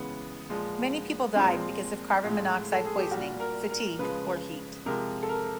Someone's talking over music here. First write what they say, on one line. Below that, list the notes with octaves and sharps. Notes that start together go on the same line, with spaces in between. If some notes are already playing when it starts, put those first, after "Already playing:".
Many people died because of carbon monoxide poisoning, fatigue or heat.
Already playing: C#3 E3 G#3 B3
A#2 F3 G#3
A#2 F3 G#3 C4
A2 F3 G#3
A4
G#4
G4
A#2 G3 F#4
A#4
A#4
C#3 F3 G#3 B4
C3 F3 G#3 A#4
A4
A#4